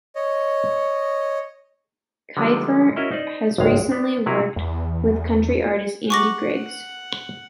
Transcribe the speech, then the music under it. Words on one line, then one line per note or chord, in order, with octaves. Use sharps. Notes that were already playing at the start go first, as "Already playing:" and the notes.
Keifer has recently worked with country artist Andy Griggs.
C#5 D#5
D3 D#3 F3 G3 G#3 B3
C#4 E4 F#4 A#4 D#5 E5
D#4 C5 D5
G#1 C#2 G2 G#3 F5
B3 D4
C3 F#3 E4 F#4 G#4 A#4
E2
F#5 C#6 D6 A#6
F#5